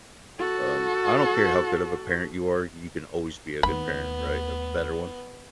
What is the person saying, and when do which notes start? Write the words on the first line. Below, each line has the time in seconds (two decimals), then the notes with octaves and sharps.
um, I don't care how good of a parent you are, you can always be a good parent, right? A better one?
0.39 F#4 A4
3.63 D#2 A3 B3 B5